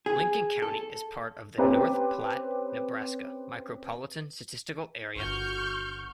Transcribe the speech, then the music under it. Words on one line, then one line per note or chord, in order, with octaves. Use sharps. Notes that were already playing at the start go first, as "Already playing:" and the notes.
Lincoln County is part of the North Platte, Nebraska Micropolitan Statistical Area.
G#4
A4
C4 C#4 G4 B4 G5
G1 F#4 C#6 F6 G6